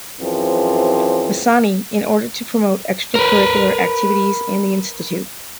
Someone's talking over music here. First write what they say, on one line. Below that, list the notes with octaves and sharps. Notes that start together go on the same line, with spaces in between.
Vasani in order to promote extra curricular activities in the institute.
F#2 E3 F3 C4 G#4
A#4 B4